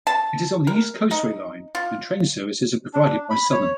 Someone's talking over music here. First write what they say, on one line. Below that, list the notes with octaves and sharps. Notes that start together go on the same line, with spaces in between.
It is on the East Coastway Line, and train services are provided by Southern.
A5
A#4
D#4
F4
D4
B5
C#5